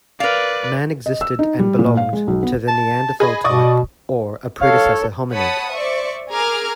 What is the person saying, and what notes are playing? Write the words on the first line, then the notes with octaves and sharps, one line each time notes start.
Man existed and belonged to the Neanderthal type, or a predecessor hominid.
A#4 B4 D5 F5
D#5
E6
D#4
G3
A#2
F5
G#3
B1
B3
A5
G#4 D#5 B5
B2 D5 D#5 C#6 D#6
A4 C#5 F5
C#5 F#5 A5 B5 D#6
C5 D5 E5 C#6
G#4 A#4 A#5 D6 F6 G#6